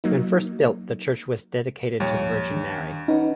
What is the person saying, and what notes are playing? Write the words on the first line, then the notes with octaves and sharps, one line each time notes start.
When first built the church was dedicated to the Virgin Mary.
F#3 A#3 D#4
D#2 A#2 F3 G3 C#5
D#3 D4
C#4 D#4 B4 F#5